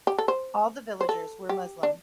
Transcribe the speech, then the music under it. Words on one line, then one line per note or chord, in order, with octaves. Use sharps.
All the villagers were Muslim.
G4
A4
C5
C5
A4
G4
D4